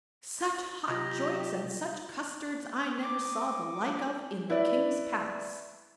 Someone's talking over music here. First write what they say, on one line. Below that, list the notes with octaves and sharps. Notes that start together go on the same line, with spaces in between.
'Such hot joints and such custards I never saw the like of in the king's palace.'
C3 F#3 F4 G4 D#5 A#5
D#4 D6
E4 B4 D5